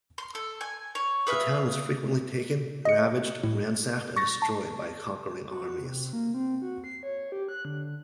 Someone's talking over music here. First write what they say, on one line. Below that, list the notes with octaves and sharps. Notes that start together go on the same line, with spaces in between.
The town was frequently taken, ravaged, ransacked and destroyed by conquering armies.
C6
A4
G#5
C#5
G#4 B4 E5 F5
D#5 C#7
A2
C#6 A6 A#6
A5
F#4
C3
A#3
C4
F#4
C7
C#5
G4
F#6
D3